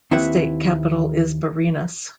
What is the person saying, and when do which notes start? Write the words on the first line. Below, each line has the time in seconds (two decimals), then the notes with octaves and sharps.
The state capital is Barinas.
0.11 D#2 C4 E4 B4 E5 F#5